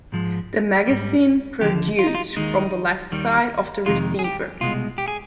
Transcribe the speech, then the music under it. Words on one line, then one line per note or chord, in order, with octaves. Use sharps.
The magazine protrudes from the left side of the receiver.
G#2 F3 G#3
G#2 G3
D#2 D3 F3 G4
F4
D#4
F4
D#2 D#3 G#3 D#4
D#2 D#3 G3
F2 C3 D#3 G#3 F4
G#4
G4
C2 B2 G#3 F4
G4
G#4